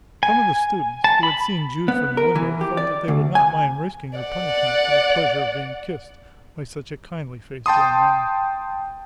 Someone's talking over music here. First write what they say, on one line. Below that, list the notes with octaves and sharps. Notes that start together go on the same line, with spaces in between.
Some of the students, who had seen Jude from the window, felt that they would not mind risking her punishment for the pleasure of being kissed by such a kindly-faced young man.
G#5
A5
B5
B3
A#4
E3
G4
D5
D2
G#5
D5 F#5
G5 A5 C6 D#6